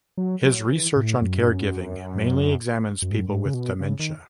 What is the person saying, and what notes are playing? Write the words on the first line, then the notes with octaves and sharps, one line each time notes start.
His research on caregiving mainly examines people with dementia.
F#3
F#3
E3
A2
F#2
G#2
F#2
F#2
G#2
F#2
G#2
C#3
B2
C#3
D#3